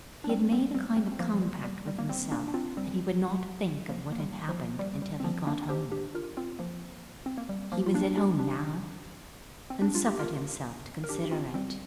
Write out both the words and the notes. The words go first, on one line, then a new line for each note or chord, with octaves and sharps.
He had made a kind of compact with himself that he would not think of what had happened until he got home. He was at home now, and suffered himself to consider it.
D4
G3 C4
G3 C4
G3 C4
G3 C4
C4
F3 A#3
F3
G3
G3
G3
A#3
G3 C4
A#3 D4
D4
C4 F4
G3 C4
F3 A#3
A#3
G3
F3
G3
G3
C4
F3 A#3
A#3 D4
G4 C5
D4 G4
F4 A#4
C4 F4
F3 A#3
C4
A#3
G3
F3 A#3
F4
A#3 D4
D4 G4
D4 G4
C4
D4
F4
G4
F4 A#4
A#4
D4 G4
G4
C4 F4
G3 C4